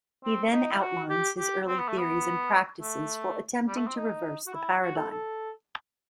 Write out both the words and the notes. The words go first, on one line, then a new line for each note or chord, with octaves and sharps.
He then outlines his early theories and practices for attempting to reverse the paradigm.
C4
D#4
E4
F#4
G4
G4
C4
B3
A3
B3
A3
G3
A3
C4
D#4
F#4
E4
F#4
A4
A4